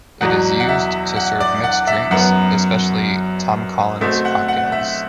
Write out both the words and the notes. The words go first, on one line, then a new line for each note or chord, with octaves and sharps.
It is used to serve mixed drinks, especially Tom Collins cocktails.
E2 B2 F#3 F#5
F#5
E5
F#5
D5
F#5
E5
F#2 F#3 B3 F#5
B2 A3 C4 E5
F#5
F#5
E5